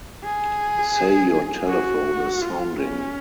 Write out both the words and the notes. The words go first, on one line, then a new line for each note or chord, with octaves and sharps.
Say your telephone is sounding.
G#4
F#4
F4
C#4